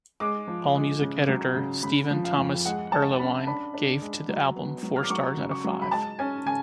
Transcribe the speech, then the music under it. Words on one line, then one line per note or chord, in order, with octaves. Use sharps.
Allmusic editor Stephen Thomas Erlewine gave to the album four stars out of five.
G#3 D6
F3
G#3
C#3
F#3
C#3
C#3 B5
F3
F5
F2
G#3 F#5
G#3 A5
C#4 B5
D4 B5
D4
G#3
F#3
B3
F#3
F6
D6
F#3 C#6
C#3
C#6
F#3
B5
G#3 A5
C#4 G#5
C#3 G#5